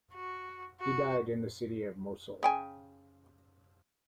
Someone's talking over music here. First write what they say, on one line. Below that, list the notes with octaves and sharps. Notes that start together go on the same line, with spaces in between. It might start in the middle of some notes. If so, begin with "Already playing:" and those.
He died in the city of Mosul.
F#4
F#4
C#3 G5 G#5